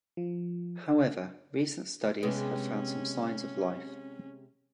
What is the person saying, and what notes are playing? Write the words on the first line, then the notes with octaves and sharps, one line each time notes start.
However, recent studies have found some signs of life.
F3
C3 G#3 B3 C#4